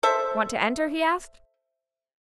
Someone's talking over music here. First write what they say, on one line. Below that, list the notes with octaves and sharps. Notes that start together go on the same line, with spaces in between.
"Want to enter?" he asked.
A4 C5 E5